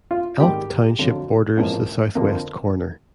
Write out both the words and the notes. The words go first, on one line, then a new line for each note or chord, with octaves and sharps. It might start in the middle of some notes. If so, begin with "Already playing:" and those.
Elk Township borders the southwest corner.
F4
G#2 D#3 G3 G4
F2 D3 F#3
A1 G#2 F3 A#3
F2 D3 F3 A#3